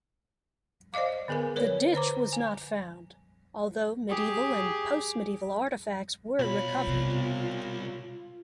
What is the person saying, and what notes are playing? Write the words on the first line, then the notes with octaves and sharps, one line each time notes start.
The ditch was not found, although medieval and post-medieval artefacts were recovered.
C5 D5 D#5 F5 D6
D3 B3 G#4 A#4 G#5
A#4 B4 C#5 D5
D3 C5 A#5 D6
G#5
G4 G#4
C2 B2 F4 C#5 B5
C3 B3